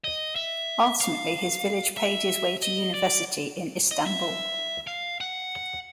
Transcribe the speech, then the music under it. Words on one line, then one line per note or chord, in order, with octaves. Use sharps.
Ultimately, his village paid his way to university in Istanbul.
D#5
E5
F5
E5
D#5
D5
D#5
E5
F5
F#5